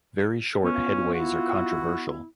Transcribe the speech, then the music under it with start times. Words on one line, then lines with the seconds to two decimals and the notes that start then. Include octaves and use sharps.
Very short headways are controversial.
0.64 B3 C#4 F4
1.14 E4 F#4